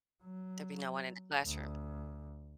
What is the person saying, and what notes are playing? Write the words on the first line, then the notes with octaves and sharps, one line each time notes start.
there'll be no one in the classroom.
F#3
D2